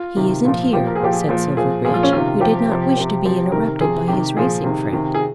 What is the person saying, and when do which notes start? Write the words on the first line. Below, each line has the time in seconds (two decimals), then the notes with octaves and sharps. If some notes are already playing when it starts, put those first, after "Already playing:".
"He isn't here," said Silverbridge, who did not wish to be interrupted by his racing friend.
Already playing: F4
0.17 C3 D#3
0.45 A#2 F3
0.73 A#2 F3 G4
0.87 A#4
0.95 G#4
1.00 A#2 F3 G4
1.12 G#4
1.29 A#2 F3
1.56 A#2 F3 G#4
1.84 A#2 F3 G#4
1.94 F4
2.03 C#4
2.13 C3 D#3 F4
2.40 C3 F3 G4
2.69 C3 F3
2.97 C3 F3
3.24 C3 F3
3.52 C3 D#3 A#4
3.80 C3 F3 G#4
4.08 C3 D#3 G4
4.37 A#2 F3 G#4
4.64 C3 D#3
4.93 C3 D#3
5.14 G#4